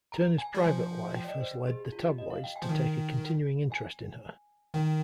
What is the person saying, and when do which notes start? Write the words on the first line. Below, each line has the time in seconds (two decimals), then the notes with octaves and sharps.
Turner's private life has led the tabloids to take a continuing interest in her.
0.12 A#5
0.38 G#5
0.54 G3
0.64 F3 G#5
1.16 G5
1.24 D5
1.28 D#5
1.41 C5
1.67 G#4
1.79 G4
1.92 F4
2.06 G4
2.18 D#5
2.30 F5
2.44 G5
2.56 G#5
2.62 F3
2.69 D#3
3.72 G#5
4.74 D#3 G5